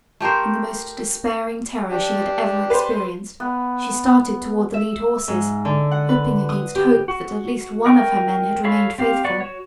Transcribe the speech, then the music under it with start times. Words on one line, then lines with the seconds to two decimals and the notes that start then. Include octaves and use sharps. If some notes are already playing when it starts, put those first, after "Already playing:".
In the most despairing terror she had ever experienced, she started toward the lead horses, hoping against hope that at least one of her men had remained faithful.
0.20 A3 G4 A#4 C5
1.91 D4 G4
2.70 B4 C5
3.40 B3
4.74 E5
5.28 G#2
5.65 D3
5.91 F#5
6.09 B4
6.49 D#6
6.75 G4
7.08 F#4
7.86 A#4 D#5 G5 C#6
8.64 A4 C#5 F5 B5 C#6
8.98 C4 G4 F5
9.25 B3 D5 F#5 C#6
9.41 F#4 C#5